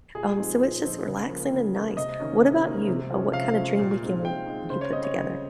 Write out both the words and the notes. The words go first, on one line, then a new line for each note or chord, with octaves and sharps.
um, so it's just relaxing and nice. What about you, uh, what kinda dream weekend would you put together?
A#2 G#4
F3 C4 D#4
A#2
F3 C4 D#4
C#3
F3 A#3
C#3
F3 A#3
C3 D#5
D#3 A#3 C#4
C3
D#3 A#3 C#4
C3
F3 G#3 C#4
C3 F5
F3 G#3 C#4
A#2
G#3 C4 D#4
A#2 G5
G#3 C4 D#4
C#3 C5
C#5
G3 C4 D#5
C#5
C#3 C#5